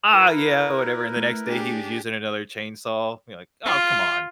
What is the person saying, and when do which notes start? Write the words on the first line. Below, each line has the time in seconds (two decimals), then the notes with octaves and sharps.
"Ah, yeah, whatever," and the next day, he was using another chainsaw, you know, like, "Oh, come on."
0.13 E4 A#4 B4
1.17 A3
1.46 D4 G4 G#4
3.65 F4